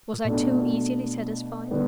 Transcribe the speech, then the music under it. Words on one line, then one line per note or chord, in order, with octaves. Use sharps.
Was I too easily satisfied?
B2 A3 D4
D3 G3 B3